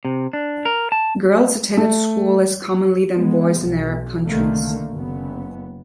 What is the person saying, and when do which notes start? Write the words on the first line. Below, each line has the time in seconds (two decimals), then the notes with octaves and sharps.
Girls attended school less commonly than boys in Arab countries.
0.05 C3
0.33 D4
0.65 A#4
0.92 A5
1.77 A3
3.14 G#3 B3
3.63 B1
4.26 C2 D3 D#3 A3 A#3
4.93 F#1 B3